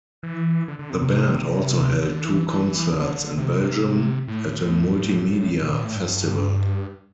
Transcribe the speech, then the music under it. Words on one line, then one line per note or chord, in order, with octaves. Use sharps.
The band also held two concerts in Belgium at a multimedia festival.
E3
D3
D3
C3
C3
C3
D3
E3
E3
D3
C3
A2
A#2
A#2
A2
G2